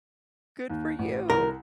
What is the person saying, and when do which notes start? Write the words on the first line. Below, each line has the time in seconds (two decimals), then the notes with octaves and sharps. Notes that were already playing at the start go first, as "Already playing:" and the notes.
Good for you.
0.70 D#2
0.99 A1
1.30 C2 A#4